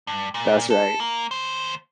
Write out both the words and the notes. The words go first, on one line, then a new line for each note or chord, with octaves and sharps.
That's right.
G2
A#2
A4
A#3
D#2 C5